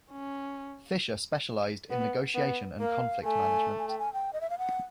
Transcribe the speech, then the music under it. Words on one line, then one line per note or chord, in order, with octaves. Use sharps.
Fisher specialized in negotiation and conflict management.
C#4
B3
B3
A#3 F5
A3 G#5
G#5
G5
G#5
G5
D#5
E5
F5
F#5